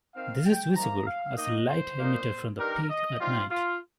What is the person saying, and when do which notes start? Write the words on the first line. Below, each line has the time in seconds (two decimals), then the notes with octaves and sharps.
This is visible as light emitted from the peak at night.
0.14 D#3 C4 D#4 F5
0.45 G5
0.75 C3 D#3 A#3 A#5
1.06 F5
1.36 D#3 A#3 D#4 D#5
1.67 C5
1.97 A#2 A#3 D#4
2.58 G2 G3 D#4 A#4
2.89 D#5
3.20 C3 G3 D#4 F4
3.50 F4